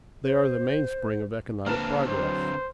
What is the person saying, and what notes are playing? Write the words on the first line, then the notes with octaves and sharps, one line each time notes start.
They are the mainspring of economic progress.
C5
D3 A#3 C4 B4 A5 A#5 F6
F#3 C5